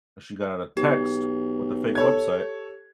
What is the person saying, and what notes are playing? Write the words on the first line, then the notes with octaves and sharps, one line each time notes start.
she got a text with a fake website
B1 G4
A4 C#5 G#6